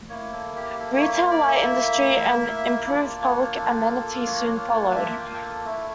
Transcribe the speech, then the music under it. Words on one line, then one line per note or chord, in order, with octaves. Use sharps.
Retail, light industry and improved public amenity soon followed.
A#3 E4 C#5
A4
G4
A4
C#5
C#5
D5
E5
A#3 D4 F4 D5
C#5
A4
C#5
E5
G5
F5
G5
A4
A3 E4 A4